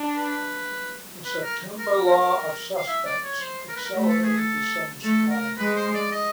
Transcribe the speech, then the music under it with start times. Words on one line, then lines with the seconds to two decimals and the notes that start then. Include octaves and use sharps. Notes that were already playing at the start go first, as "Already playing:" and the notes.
The September Law of Suspects accelerated the son's trial.
Already playing: D4
0.17 B4
1.25 B4
1.43 A#4
1.79 A#4
2.06 A#4
2.77 F5
2.88 E5
3.05 D5
3.23 C#5
3.41 C5
3.68 A#4
3.76 B4
3.84 A#4
3.96 A3
4.09 A4
4.23 G#4
4.37 A4
5.04 A3 A4
5.31 A#4
5.58 G#3 B4
5.76 C5
5.94 D5
6.12 D#5